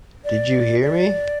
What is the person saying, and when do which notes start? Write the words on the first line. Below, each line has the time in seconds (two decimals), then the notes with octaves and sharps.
Did you hear me?
0.24 D5
0.82 D5